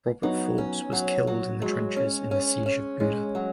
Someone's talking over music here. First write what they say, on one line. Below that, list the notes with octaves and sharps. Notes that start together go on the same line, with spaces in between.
Robert Forbes was killed in the trenches in the Siege of Buda.
F#3 B3 D#4
C#4
F#3
F#3
F#3 G#3
C#4
C#4
C#4
G#3 C#4
F#3